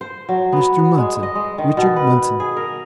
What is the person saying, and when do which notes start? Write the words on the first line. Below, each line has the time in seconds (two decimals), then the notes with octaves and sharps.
"Mr. Munson, Richard Munson."
0.01 C5
0.29 F#3
0.52 B3
0.98 G#3
1.23 D#5
1.35 G#3
1.58 D#3
1.77 B2
1.96 B4
2.40 G#4
2.57 A#4